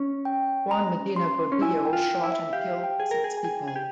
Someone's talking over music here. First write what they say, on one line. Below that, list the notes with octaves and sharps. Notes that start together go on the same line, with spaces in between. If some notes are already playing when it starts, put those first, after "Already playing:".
Juan Medina Gordillo shot and killed six people.
Already playing: C#4
G5
A#5
C6
C#4
E4 G#5
G5
F4
E4
E5
G4 F5
G5
G#4
A#4
G#4
G#5
G#4 G5
G#4
G4